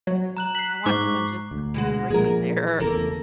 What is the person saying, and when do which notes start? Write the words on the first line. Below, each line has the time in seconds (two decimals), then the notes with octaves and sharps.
I want someone just to bring me there
0.07 F#3
0.37 A#5 F#6 F#7
0.55 F#6 B6 C7
0.86 G#2 C#6 D6
1.51 D2
1.74 B2 G#3 F#4
2.10 A#2 F3 G#4 A#4
2.80 E2 C#3 E3 A#3 A4 A#4